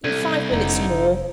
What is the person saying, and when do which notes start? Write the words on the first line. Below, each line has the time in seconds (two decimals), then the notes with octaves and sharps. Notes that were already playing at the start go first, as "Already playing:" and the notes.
'In five minutes more--.
0.04 C2 A4 G#6 D#7
0.51 F1 D3 D#4